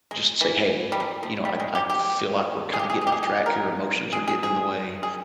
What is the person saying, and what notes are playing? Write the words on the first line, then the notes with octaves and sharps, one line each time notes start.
just say, "Hey, you know, I I feel like we're kinda getting off track here, emotions are getting in the way,
G#3
E3
G3
F3
F3
G3
G#3
G4
G4
G#4
G4
G#4
G#4
G4
G#4
G4
A#4
G#4
G#4
G#4
G#4